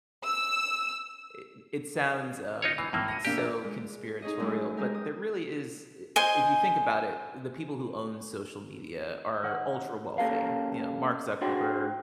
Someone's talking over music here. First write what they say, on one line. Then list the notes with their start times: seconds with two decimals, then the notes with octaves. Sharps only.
i it sounds, um, so conspiratorial, but there really is i i if you think about it, the people who own social media are ultra wealthy. You know, Mark Zuckerberg,
0.24 E6
2.62 D#4 F4 C#5
2.78 E3 C7
2.93 G#1 A2 A#3 E6
3.08 A#6 C#7 D#7
3.25 A#3 D4 G4
3.38 A#1
3.64 G#3
4.22 D#4 G#4 C#5 D#5
4.40 F#2 A2 G#3 E4
4.77 G#3 D#4 G4 A#4
4.94 D#6
6.16 C5 D#5 G#5 C6
9.43 D#3 F#5
10.18 A#3 C#4 G4 A4 A#4 F5
11.41 D4 F#4 G#4 C5 F#5 G5